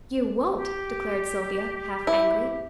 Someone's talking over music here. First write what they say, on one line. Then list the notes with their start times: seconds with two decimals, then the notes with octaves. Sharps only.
"You won't!" declared Sylvia, half angrily.
0.56 G4
2.07 E4